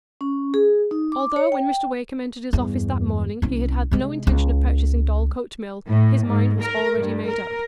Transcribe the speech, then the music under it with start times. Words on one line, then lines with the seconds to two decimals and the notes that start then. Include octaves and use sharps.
Although, when Mr. Wakem entered his office that morning, he had had no intention of purchasing Dorlcote Mill, his mind was already made up.
0.21 C#4
0.54 G#4
0.91 D#4
1.12 D6
1.36 C#5
1.52 G5
2.53 E2 G2
3.42 C2 C#4
3.91 C3 G#3
4.27 C#2
5.89 A2
6.26 G#2
6.61 A#4
6.96 G2
7.30 A#4